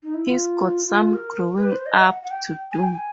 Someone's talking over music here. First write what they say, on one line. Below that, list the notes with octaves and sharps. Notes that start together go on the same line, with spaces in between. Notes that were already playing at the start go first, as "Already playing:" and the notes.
He’s got some growing up to do.
D#4
E4
F4
F4
A#4
B4
C5
D#5
F#5
F#5
G5
G#5
G5
G#5